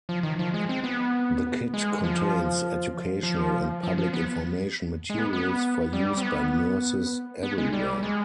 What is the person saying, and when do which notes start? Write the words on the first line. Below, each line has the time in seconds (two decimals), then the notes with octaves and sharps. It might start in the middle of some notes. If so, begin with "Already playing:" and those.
The kit contains educational and public information materials, for use by nurses everywhere.
0.09 F3
0.23 D#3
0.39 F3
0.54 G#3
0.69 C4
0.84 B3
1.74 G#3
2.04 F3
3.23 F3
3.83 F3
3.98 F3
4.14 B3
5.10 G#3
5.19 B3
5.33 B3
5.93 G3
6.17 C4
6.22 B3
7.43 B3
7.58 G#3
7.73 G3
8.03 G#3